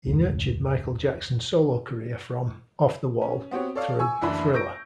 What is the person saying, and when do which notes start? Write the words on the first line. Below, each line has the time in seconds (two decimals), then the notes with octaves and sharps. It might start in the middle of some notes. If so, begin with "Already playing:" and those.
He nurtured Michael Jackson's solo career from "Off the Wall" through "Thriller".
0.07 F1 D2 G#2 C#3
3.21 C#4
3.51 B3 C4 F#4 G4 C#5
3.75 A4 C#5 D5 F5
3.99 G#5 C#6 E6
4.22 F#1 D2 E3 D4 E4 B5
4.54 C#6 G6 A#6 D7